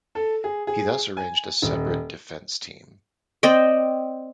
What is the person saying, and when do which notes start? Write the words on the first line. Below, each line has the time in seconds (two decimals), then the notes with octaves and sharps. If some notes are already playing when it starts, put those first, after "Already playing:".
He thus arranged a separate defence team.
0.15 A4
0.44 G#4
0.67 G#4
1.17 G#5
1.62 D#1
3.43 C4 D5 D#5 G5